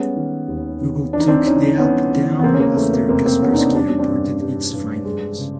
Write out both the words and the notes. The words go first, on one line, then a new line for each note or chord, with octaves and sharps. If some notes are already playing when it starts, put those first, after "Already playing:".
Google took the app down after Kaspersky reported its findings.
Already playing: G3 G#3 B3 C#4
D#3
D#2
D#3
E3 D4
D#4
C4 D4
E3 C#4 D#4
E3 B3 C#4
E3
B3
C#3 A#3 C4
C#4
A#3 C4
E2 A3
A#3
F1 A#3 C4
A#3 C4
E2 B3 C#4
D#4
C4 D4
G3 D4
C#4
C4 D4
G2
G3
G2
G#3
C#3